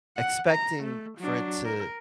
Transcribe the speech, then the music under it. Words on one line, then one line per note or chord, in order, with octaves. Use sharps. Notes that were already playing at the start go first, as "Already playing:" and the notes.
expecting for it to
F#5
A#5
A3
F#3 D4
A#4